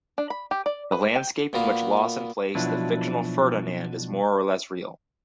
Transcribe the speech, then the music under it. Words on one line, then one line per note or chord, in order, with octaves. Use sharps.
The landscape in which Lawson placed the fictional Ferdinand is more or less real.
D4
B5
G4
D5
B4
G5
A#2 B3 F#4 F5
B2 F3 F#3 D4 E4 B4